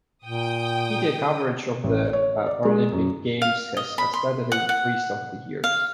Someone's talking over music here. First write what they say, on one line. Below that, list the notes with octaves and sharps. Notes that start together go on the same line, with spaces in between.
Media coverage of the Paralympic Games has steadily increased over the years.
A#2 G5 D#6
A1
C#5
D5
G#3
F#2
F5
D#5
B5
C6
F#5
F#5
F5